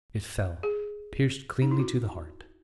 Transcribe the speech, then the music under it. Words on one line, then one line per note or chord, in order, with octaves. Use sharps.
It fell, pierced cleanly to the heart.
G#4
D#4
E4
F#4